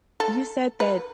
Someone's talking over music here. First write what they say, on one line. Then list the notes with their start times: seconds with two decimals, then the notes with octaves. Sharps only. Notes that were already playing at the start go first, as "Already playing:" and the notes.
You said that
0.20 A4
0.80 B4